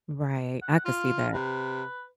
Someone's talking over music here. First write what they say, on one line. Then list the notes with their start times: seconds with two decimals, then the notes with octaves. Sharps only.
Right. I could see that.
0.62 F#5
0.85 F4 F5
1.33 C3 B4